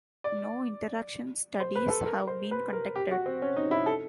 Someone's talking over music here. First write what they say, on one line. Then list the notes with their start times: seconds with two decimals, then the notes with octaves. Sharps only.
No interaction studies have been conducted.
0.24 D5
1.60 C5
1.75 B4
1.90 A4
2.06 A#4
2.27 C5
2.51 B4
2.73 A#4
2.95 G4
3.11 F#4
3.26 C4
3.42 C#4
3.56 D#4
3.71 E4
3.86 A4